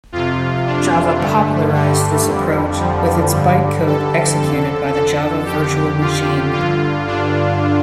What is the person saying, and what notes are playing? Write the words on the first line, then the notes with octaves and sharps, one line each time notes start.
Java popularized this approach with its bytecode executed by the Java virtual machine.
F2 C3 F4
D4
G2 D3 A3
G3
F2 D3
F3
G2 D3 G3
A4
F2 D3 A4
A4
F2 D3 G4
F4
G2 D3 F4
D4